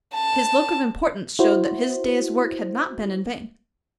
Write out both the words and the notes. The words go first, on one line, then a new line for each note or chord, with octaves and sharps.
His look of importance showed that his day's work had not been in vain.
A5
E4 F#4 C5